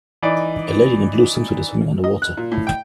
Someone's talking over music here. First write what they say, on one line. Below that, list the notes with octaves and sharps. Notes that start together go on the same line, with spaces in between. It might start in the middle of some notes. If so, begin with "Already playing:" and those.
A lady in a blue swimsuit is swimming underwater.
E3 D#4 D5
D#5
F#6
A#2
A2
G5